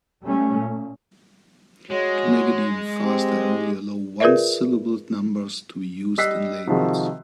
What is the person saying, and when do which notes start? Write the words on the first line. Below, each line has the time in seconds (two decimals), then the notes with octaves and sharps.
To make it even faster, I only allow one-syllable numbers to be used in labels.
0.23 G3 A3 C#4
0.56 A#2
1.90 G#3 F#4 C#5
3.02 C4 G4
4.20 F4 G#4 A#4 B4 D5 E5
6.18 G3 D#5 E6 F#6 B6 C7
6.67 C3 D#3 F3 G#3 F#4